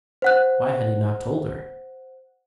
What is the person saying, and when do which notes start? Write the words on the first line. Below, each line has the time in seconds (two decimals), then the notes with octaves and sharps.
Why had he not told her?
0.22 C5 F#5 F#6